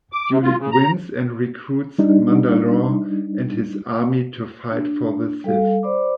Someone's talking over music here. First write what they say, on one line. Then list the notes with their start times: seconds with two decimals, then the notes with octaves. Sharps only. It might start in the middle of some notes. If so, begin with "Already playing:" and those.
Ulic wins, and recruits Mandalore and his army to fight for the Sith.
0.12 D6
0.31 C3
0.43 F4
0.59 C#3
0.72 A#5
1.99 G3 D4 D#4
4.71 D4
5.44 G3 A4 F5
5.83 C5 D5 B5 D6